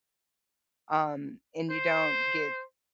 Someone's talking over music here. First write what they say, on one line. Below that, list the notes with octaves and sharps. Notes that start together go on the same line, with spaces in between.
um, and you don't get
C5